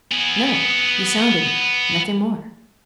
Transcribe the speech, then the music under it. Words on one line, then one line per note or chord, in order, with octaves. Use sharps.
No, you sounded me, nothing more.
B3 G#4